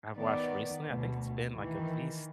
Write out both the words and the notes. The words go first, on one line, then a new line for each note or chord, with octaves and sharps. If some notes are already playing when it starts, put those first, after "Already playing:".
I've watched recently, I think it's been, like, at least
D#3 B3 D5
D2 B2
D#3 E3